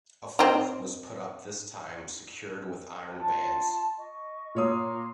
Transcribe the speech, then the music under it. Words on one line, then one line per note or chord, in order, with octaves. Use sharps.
A fourth was put up this time secured with iron bands.
C4 D#4
F4 A5 C6
D#5 C#6
A#2 C#5 A#5 C6 D6 D#6